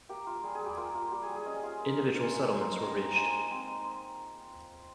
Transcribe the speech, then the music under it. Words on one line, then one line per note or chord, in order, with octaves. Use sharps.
Individual settlements were reached.
A#3 G4
F4
G3 G#4
G#4
G3 G4
A#3 F4
F4
G3 G4
G#4
G3
G#4
C#4 D#5
F4 F5
A#3
A#3
C#4
F4
A#3
C5
A#3
D#5
C4 A#5
D#4
G#3 G#5
G#3
C4
D#4